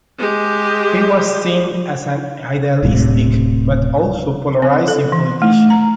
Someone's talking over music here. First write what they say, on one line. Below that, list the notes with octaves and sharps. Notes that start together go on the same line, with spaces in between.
He was seen as an idealistic, but also polarizing politician.
G#3 G4
D1 A2 C3
C4
A4
E3
A3
A#5